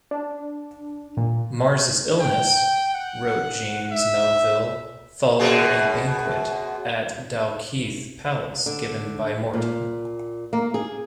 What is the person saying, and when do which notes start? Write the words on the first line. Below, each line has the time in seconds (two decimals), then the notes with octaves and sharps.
Mar's illness, wrote James Melville, followed a banquet at Dalkeith Palace given by Morton.
0.11 D4
1.17 A#2
2.20 G5
2.94 F#5
3.92 E5
5.40 F#2 B2 G#4
8.66 D3
9.53 A#2
10.53 A#3
10.74 G#4